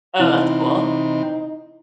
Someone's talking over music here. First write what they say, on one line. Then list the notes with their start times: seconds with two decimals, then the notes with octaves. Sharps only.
Oh, that's cool.
0.19 C3 E3 C4 D#4 E4